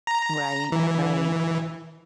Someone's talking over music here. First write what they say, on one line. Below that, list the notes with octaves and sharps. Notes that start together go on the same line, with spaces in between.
Right. Right.
A#5
E3